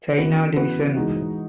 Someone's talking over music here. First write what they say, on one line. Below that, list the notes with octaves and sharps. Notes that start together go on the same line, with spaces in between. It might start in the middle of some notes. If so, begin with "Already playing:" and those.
China division.
C#3 E3 B3 F#4 B4
C#3 E3 B3 F#4 B4
E3 G#3 D#4 F#4